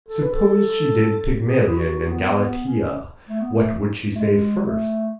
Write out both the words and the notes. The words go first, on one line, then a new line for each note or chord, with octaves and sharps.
Suppose she did Pygmalion and Galatea what would she say first?
A4
B4
A4
G#4
E4
F#4
B3
B3
C#4
A3
B3
A3
A3
G#3
A3